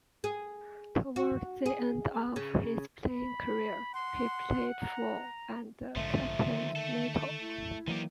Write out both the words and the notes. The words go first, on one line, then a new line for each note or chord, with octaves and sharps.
Toward the end of his playing career, he played for and captained Natal.
G#4
F#4
G#4
C#3
B5
F#5 C6
A#5
A#1 G#2 D3 F3 A3 E5
D3 D#3
A3 A4
E4
D#3 E3 F#3 A#3 G4